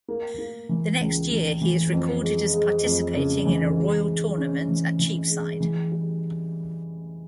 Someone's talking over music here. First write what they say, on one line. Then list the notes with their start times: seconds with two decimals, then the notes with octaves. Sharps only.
The next year he is recorded as participating in a royal tournament at Cheapside.
0.08 A#3
0.39 A#3
0.69 E3
1.00 C#2
1.31 E3
1.61 E3
1.92 F2
2.22 G#3
2.54 G#3
2.84 F2
3.15 C#3
3.45 E3
3.76 G#3
4.07 G#3
4.38 C#4
4.69 E3
4.99 E3
5.30 G#3
5.60 E3
5.92 G3